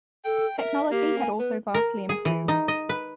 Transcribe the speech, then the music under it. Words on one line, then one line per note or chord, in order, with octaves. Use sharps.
Technology had also vastly improved.
A4 G5
A#4 E5
A#3 G4
G#5
B3 B4
A#4
G#4
E3
D#4
D#5
B4